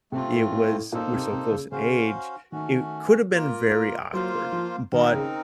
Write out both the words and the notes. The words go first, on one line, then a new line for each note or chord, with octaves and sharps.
it was we're so close in age, it could have been very awkward, but
C3 A3 C4 F4
A2
A#2
A2
A#2 A#3 D#4 A4 C5
C3
C3
C#3
C#3 C#4 F#4 C5 F5
D#3 A3 C#4 F#4
A#3 F4 A#4
F#3 A#3 F4 C5 F5
F3
D#3 C4 D#4 A#4
C#3